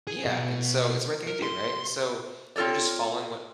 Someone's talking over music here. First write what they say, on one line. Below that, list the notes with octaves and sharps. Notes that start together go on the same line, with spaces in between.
Yeah, and so it's the right thing to do, right? And so, you're just following what
G#4
B2
A#4
C6
C4 F4 A4 C#5 D5